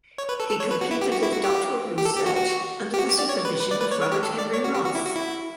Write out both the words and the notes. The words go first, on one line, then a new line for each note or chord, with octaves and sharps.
He completed his doctoral research under the supervision of Robert Henry Roth.
C#5
B4
A4
A4
C#5
B4
F#4
E4
G4
F#4
E4
F#4
G4
G4
A4
G4
F#4
F#4
G4
F#4
G4
D5
C#5
B4
B4
D5
B4
C#5
C#5
G4
A4
D5
C#5
F#4
G4
F#4
E4
F#4
E4